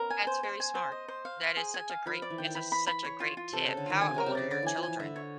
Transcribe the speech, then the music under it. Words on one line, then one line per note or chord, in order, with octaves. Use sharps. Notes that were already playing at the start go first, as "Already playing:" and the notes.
That's very smart, that is such a great it's a such a great tip, how old are your children?
Already playing: B3 C#4 A#4
G#5
C5
C5
G#5
C5
D#5
C5
F5
C5
G#4
G#5
F5
F3 B5
D5
E3
D#3 G5
E3
B5
B5
B5
C#5
F4
F4
C3 A4
C#3 A4
D3
D#3 F4
D3 G#5
C3
C#3 A#4
C3
C#3 D5
D3 D5
E3 G#5
F3
E3 G#5
D3 E5
C#5